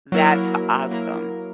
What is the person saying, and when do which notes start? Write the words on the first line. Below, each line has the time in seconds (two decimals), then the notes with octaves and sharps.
That's awesome.
0.12 F#3 A#3 E4 A#4
0.91 F#3 A#3 E4 A#4